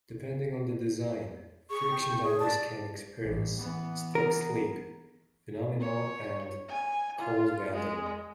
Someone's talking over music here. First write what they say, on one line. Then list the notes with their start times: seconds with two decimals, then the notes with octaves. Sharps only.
Depending on the design, friction dampers can experience stick-slip phenomenon and Cold welding.
1.70 G#4 C#6
1.90 G5
2.22 G#4
2.40 D5 A5
3.22 A1
3.57 E3 B3
4.15 A#4
5.81 C#5
6.69 G#5
7.19 F4
7.73 G#3